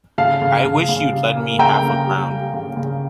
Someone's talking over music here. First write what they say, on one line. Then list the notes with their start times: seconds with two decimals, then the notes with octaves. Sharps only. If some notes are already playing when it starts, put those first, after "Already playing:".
I wish you'd lend me half a crown.
0.18 C#3 F5 A5
0.42 C#3
0.65 C#3
0.89 C#3
1.12 G3
1.36 A#3
1.59 C#3 G5 A#5
1.83 C#3
2.06 G3
2.30 G3
2.54 C#3
2.77 C#3